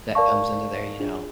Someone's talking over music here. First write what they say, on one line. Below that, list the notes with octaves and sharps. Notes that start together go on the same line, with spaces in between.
that comes into there, you know,
A#4 D5 F5 A5 C#6
D4 F4 G#4